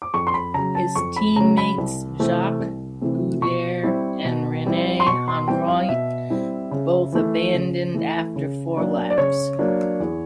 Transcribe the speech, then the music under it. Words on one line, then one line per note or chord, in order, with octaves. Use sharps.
His team-mates Jacques Guders and Rene Hanriot both abandoned after four laps.
D6
F2 C#6
C6
B5
C#3 F#3 A#5
A5
F2 C#6
B5
C#3 F#3 A#5
B5
C2
C3 E3 A3 C4
C2
C3 E3 A3 C4
B2 C#6
G3 C4 E4
B2
G3 C4 E4
C6
B2 C#6
C6
G3 C4 E4 G5
F5
B2 E5
G3 C4 E4
C#3
E3 A3
C#3
E3 A3
C#3
F#3 A#3 D4
D5
C#3 C#5
F#3 A#3 D4
E2